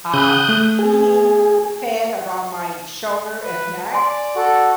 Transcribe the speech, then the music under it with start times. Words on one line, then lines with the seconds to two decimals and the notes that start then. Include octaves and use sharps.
um, heating pad around my shoulder and neck,
0.13 C#3 B5 D#6 F#6 G6
0.49 A3
0.79 G#4
3.43 B4
3.93 D5 G#5 C6
4.35 F#4 A4